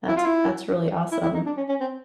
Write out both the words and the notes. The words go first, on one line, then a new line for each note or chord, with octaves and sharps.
That's that's really awesome.
E4
F4
E4
E4
E4
D#4
D4
C#4
C#4
C4